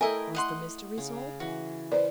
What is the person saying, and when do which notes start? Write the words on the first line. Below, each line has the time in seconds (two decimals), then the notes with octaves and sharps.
Was the mystery solved?
0.01 A3 E4 A4 A#4 D#5 E5 G5 G#5
0.35 D#5 F#5 C6
0.98 C#3
1.40 E3 F#4
1.92 B4 C5 D5